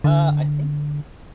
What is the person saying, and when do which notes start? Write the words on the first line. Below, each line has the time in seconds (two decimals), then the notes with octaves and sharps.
Uh, I think
0.04 D3